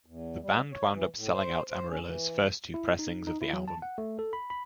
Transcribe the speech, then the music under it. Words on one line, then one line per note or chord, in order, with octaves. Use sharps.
The band wound up selling out Amarillo's first two pressings of the album.
E2
G3
C#5
E3
A2
C5
C5
C#4
E3
E4
D#4
D#4
E4
F#3
A5
F#5
A3
A4
B5
B5